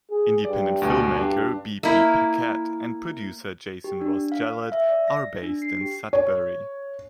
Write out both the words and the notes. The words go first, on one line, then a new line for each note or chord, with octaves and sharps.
Independent filmmaker B. P. Paquette and producer Jason Ross Jallet are based in Sudbury.
G#4
G2 D5
D2 B2
G2 D4
A#3 E4
G4
D4
F5
E5
D5
A#6
D4
C7
G4
C#5